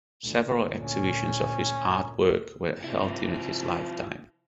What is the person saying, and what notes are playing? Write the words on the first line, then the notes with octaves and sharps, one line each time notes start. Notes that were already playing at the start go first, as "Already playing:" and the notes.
Several exhibitions of his artwork were held during his lifetime.
D2 A#2
C#4
C3 F3 E4